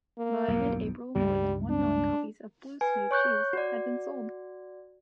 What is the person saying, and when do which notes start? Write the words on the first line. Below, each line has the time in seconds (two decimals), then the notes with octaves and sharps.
By mid-April, more than one million copies of "Blue Suede Shoes" had been sold.
0.18 A#3
0.48 B1 E2 G2
1.15 C#2 G2 G3 G#3
1.70 D4
2.81 B4 G#5
3.11 C#5 C#6 F#6 G6
3.53 F#4 D5